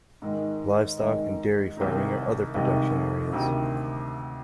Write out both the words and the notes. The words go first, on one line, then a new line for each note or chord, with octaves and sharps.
Livestock and dairy farming are other production areas.
G#2 D#3 G#3
G#2 D#3 G#3
C2 C3 D#3 G#3 D#4
C2 C3 D#3 G#3 D#4
D2 C3 D#3